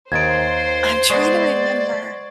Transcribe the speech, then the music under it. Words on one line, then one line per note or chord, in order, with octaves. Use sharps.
I'm trying to remember.
D#2 D#3 C5 C6 G#6 A6 D7
G#3 B3 D5 C#6